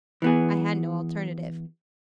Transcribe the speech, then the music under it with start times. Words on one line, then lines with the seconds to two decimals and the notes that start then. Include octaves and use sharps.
I had no alternative.
0.22 E3 B3 G#4